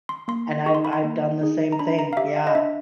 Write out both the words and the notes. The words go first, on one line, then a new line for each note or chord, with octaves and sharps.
and I've I've done the same thing, yeah.
C6
A#3 C6
D#4 G#4 C#6
C6
B5
C6
A#3
D#4 G#4
A#5
D4 B5
A#5
F5
G4 E5
F5
D#5
D4 E5